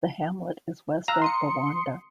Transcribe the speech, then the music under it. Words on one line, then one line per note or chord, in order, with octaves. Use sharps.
The hamlet is west of Gowanda.
F5 A#5 E6 F#6
C6 D#6 C#7